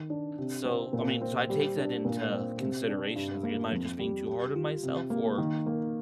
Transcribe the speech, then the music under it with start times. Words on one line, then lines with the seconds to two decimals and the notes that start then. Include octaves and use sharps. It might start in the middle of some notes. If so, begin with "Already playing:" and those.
So, I mean, so I take that into consideration. I was like, "Am I just being too hard on myself, or
Already playing: D#3
0.10 D4
0.38 C3
0.65 C4
0.93 A#2
1.21 C4
1.49 G3
1.77 D4
2.05 A#2
2.32 C4
2.60 C3
2.88 D4
3.15 G2
3.43 A#3
3.72 F2
3.99 G3
4.27 G3
4.55 F4
4.83 C3
5.10 A#3
5.38 D#3
5.66 A#3